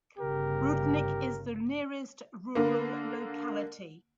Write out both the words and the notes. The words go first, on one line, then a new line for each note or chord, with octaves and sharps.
Rudnik is the nearest rural locality.
G1 C#3 G4 A#4
D3 A#3